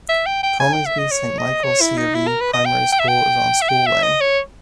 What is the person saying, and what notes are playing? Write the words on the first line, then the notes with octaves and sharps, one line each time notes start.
Coningsby Saint Michael's C of E Primary School is on School Lane.
E5
G5
G5
G#5
G5
E5
D#5
C#5
D#5
C#5
E4
D#4
E4
A#4
B4
D#5
G5
G5
E5
G5
E5
G5
E5
D#5
C#5